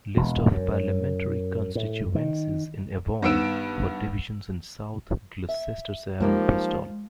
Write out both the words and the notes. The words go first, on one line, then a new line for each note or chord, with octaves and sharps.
List of Parliamentary constituencies in Avon for divisions in South Gloucestershire and Bristol.
E1
F#2
A2
D#3
G2 D#3 B3 E6 D7 E7
E5
F3 G3 G#3 A#3 D#4